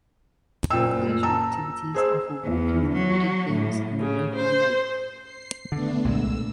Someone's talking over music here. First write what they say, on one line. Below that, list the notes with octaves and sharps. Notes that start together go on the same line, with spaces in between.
Leisure activities offer walking in the wooded hills and the local lake.
F#1 A#2 G5 E6
A5 A#5 E6
G#4 C5 E6
E2
F#3
A2
C#3
C5
C7
D3 A3 B3 D4
C2 A#2 G#3 E6